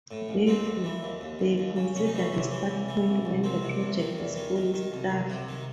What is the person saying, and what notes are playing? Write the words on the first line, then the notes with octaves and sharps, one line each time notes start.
Therefore, they consider the start point when the project is fully staffed.
A2
A1
D#2 C4 D#4
D#2
E3
D#2
D#2
D#2
D#2
C#3
C2 C#4
D#4
E3 C#4
C3
E3
C2
E3
C2
C2
D#3 C4
C3
E2
D#3
E2
D#3
D#3
D#3
C2
C2
C3
D#3